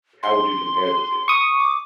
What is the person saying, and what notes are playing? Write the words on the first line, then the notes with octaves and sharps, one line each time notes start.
How would you compare the two?
C6
C#6 D#6
D6